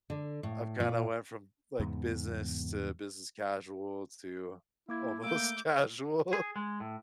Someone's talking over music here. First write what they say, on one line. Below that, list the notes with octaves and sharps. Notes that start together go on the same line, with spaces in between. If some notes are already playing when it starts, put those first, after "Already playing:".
I've kinda went from, like, business to business casual to almost casual.
D3
A2
A#2
E2 G#2 C#3 B3
A#3 E4 D6 G#6
A3 A#3 D6 E6 G6
G#4
G#3
A2